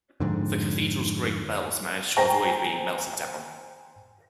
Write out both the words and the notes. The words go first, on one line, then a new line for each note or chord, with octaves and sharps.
The cathedral's great bells managed to avoid being melted down.
F2 G#2 D3
C5 G5 G#5 A#5 A#6